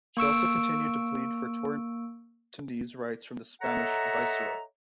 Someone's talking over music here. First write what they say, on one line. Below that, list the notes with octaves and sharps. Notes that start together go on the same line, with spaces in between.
She also continued to plead for Tortonese rights from the Spanish viceroy.
A#3 C#6 E6 D7
A4 C#5 D#5 E5 F#5 A#5